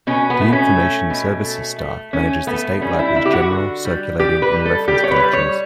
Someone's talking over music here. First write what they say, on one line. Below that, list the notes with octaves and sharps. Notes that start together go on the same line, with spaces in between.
The Information Services staff manages the State Library's general, circulating and reference collections.
B2 C#4
B3
A3
C#4
A3
B2
A3
A3
A3 C#4
A3 B3
G3 C#4
E4
D3 E4
G4
F#4
D3
G3
G3 G4
B4
G3
A4
G3 G4
C#5
B4
G3
C#5